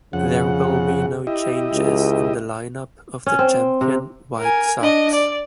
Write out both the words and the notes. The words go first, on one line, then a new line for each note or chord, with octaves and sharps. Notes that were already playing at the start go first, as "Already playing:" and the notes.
There will be no changes in the lineup of the Champion White Sox.
F2 C#3 F#5
E4 G4 D#5
C#2
C#4
C4
C3
A#4 G#5
D4 D#5
D5